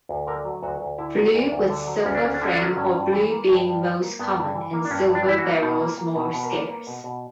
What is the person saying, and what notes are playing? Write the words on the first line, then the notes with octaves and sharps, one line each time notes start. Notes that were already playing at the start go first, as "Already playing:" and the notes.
Blue with silver frame or blue being most common and silver barrels more scarce.
D2
D3 A#4
F#3
D2 F#4
D2
D3 E4
F#3
D2
D2
D3
F#3
D2 C#4
D4
D2 C#4
D4
D3 C#4
D4
F#3 C#4
G2 C#4
G2
E3
A#3
G2
G2
E3
A#3
G2 B3
G2
E3
A#3
D4
G2 C#4
G2
D4
E3 E4
F#4
A#3
B2
A#3
A#3
B2
B2 B4
A#4
A#3 B4
A#3
B2
B2